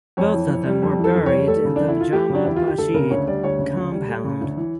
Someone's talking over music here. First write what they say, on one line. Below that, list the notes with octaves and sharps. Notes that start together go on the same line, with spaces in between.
Both of them were buried in the Jama Masjid compound.
F2 C#5
E3
F2
G3
F2
E3
A4
F2
C#5
G3
A3 A4
C#3
E2 D4
E4
E3 F4
A3 G4
C#3
D4
E2 E4
F4
E3
G4
D2 A4
C#3 A#4
D2 C#5
G3 D5
D2 C#5
C#3
D2
G3
A3
C#3
D2
E3